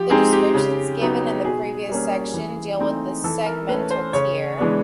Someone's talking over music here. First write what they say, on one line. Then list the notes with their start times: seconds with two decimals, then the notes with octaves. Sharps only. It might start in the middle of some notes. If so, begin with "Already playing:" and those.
The descriptions given in the previous section deal with the segmental tier.
Already playing: F3 G4
0.10 G#3 C4 D#4 G#4
0.33 G4
0.55 C#3
1.00 F#3 B3 D#4
1.44 B2 G#4
1.89 G3 A#3 C#4
2.34 E3
2.79 A3 C4 D#4
3.24 E3 A4
3.46 A#4
3.69 A3 C#4 B4
3.91 C5
4.13 C#3 C#5
4.58 E3 G#3 B3 D4